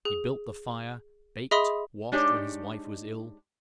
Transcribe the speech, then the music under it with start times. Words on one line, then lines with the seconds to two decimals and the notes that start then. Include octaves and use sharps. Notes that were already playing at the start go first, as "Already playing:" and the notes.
He built the fire, baked, washed, when his wife was ill.
0.05 G#4
1.51 G#4 D#5 E5 B5 C6 D#6
2.12 G#3 D4 D#4 G4 C#5 D5